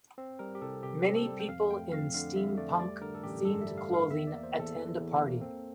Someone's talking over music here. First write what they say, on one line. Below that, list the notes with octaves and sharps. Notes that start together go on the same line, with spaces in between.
Many people in steampunk themed clothing attend a party.
C4
G3 A#4
G4
C2 A4
C3 G4
C4
A4
G3
G5
F2 F5
A3 G5
F2 F5
D3 F5
F2 E5
A3 D5
G3 D5
D3 A#4
A4
A1 G4
G2 A4
E5
G3
F5
D3
F5
E2 E5
A#3 D5
C5
E2
A4
E3
E2
A#3
C4